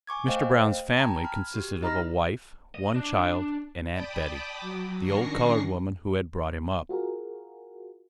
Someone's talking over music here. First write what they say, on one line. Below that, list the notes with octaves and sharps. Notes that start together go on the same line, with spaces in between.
Mr. Brown's family consisted of a wife, one child, and Aunt Betty, the old colored woman who had brought him up.
G#5 C#6 D6 G#6
A3 C5 D#5 F5 G5
G5 A5 A#5 G#6
B5 F6
F#4 G4
D#4 D#5 A#5 B5 F6 A#6
D#5
D4
D5 G5 A5 B5 D6 D#6
F#3
D#3 C#4 D4 C#6 A#6 C7
F4 F#4 G#4 A#4